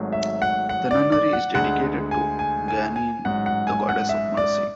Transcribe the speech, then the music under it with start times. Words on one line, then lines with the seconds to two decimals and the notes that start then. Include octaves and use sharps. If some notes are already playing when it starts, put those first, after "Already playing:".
The nunnery is dedicated to Guanyin, the Goddess of Mercy.
Already playing: G#1 G#2 F#3 A3
0.12 E5
0.42 F#5
0.69 F#5
0.91 D5
1.12 D5
1.33 F#5
1.55 D2 D3 G#3 F#5
2.11 G#5
2.39 G#5
2.68 G#5
2.96 G#5
3.24 A1 G#2 F#3 F#5
3.46 F#5
3.67 G#5
3.89 F#5
4.09 E5
4.37 D5